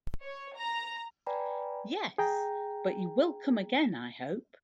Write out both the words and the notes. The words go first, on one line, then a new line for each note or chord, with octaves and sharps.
Yes; but you will come again, I hope?
C#5
A#5
B4 D5 G5 G#5 A#5 B5
G#4 G5 A#5